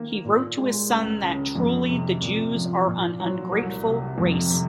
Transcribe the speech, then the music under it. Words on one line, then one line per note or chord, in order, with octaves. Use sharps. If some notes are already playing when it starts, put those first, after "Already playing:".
He wrote to his son that "truly the Jews are an ungrateful race".
Already playing: D#3 A#3
A#2
G#3
C#2
C#3
F2
C3
A#2
F3
A#2
F#3
C2
C3
F2
C3